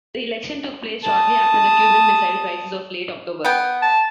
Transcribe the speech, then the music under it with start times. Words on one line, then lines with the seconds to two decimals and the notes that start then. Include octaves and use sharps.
The election took place shortly after the Cuban Missile Crisis of late October.
1.04 A5 D#6
3.45 B3 G5
3.82 A5